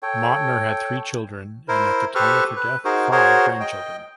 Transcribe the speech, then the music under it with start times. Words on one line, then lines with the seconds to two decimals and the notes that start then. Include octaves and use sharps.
Mautner had three children and at the time of her death five grandchildren.
0.03 A4 C#5 G5
1.68 E4 A#4 C5
2.15 G4 A4 B4 C5 C#6 F6
2.56 B4
2.85 D#4 F#4 G#4 A#4 C5
3.12 F#4 G#4 A#4 C5 C#5
3.60 D#5 G5